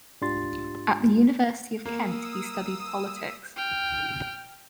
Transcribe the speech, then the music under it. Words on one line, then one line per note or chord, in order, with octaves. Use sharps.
At the University of Kent he studied Politics.
G#2 D4 F4 G4 C6 A6
A#3 D#6 E6
G5 F6